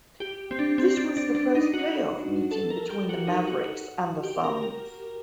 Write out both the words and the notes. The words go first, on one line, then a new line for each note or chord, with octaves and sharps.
This was the first playoff meeting between the Mavericks and the Suns.
G4
C4
D4
C4
D4
D4
D4
D#4
F#4
A4
A#4
G4
F#4
D#4
F#4
G4
A#4
A#4